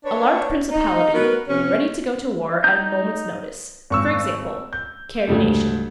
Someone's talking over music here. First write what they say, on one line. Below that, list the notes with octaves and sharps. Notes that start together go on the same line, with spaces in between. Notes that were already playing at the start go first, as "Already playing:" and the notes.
A large principality ready to go to war at a moment's notice. For example: Carrie Nation.
D4 B4 C#5
D#4
B3 C#4 F#4 A#4 B4
C3 F3 C#4
D#4 G6
G#1 C#6 E6
G6
D2 G#2 C#3 G3 A3